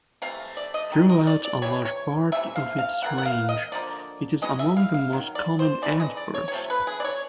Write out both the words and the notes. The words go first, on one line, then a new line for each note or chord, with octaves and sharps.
Throughout a large part of its range, it is among the most common antbirds.
C3 E3 A3 F5
D5
D#5
D#3 G3
D#5
D5
D5
C3 E3 G3 C#5
C#5
C3 E3 A3 E5
F5
F5
E3 G3 A#3 F#5
F#5
F5
D#5
D3 F3 A#3 D5
E3 G#3 B3 D#5
E5
F5
F5
D#3 F#3
D5
C5
C#3 E3 A3 D5
D#5
D5
C#5
C#5
C3 F3 A3
B4
G#4
D5
C#5